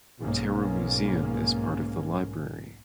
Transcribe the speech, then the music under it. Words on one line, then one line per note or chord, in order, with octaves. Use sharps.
The Botero Museum is part of the library.
B1 G#2 A#3 C#4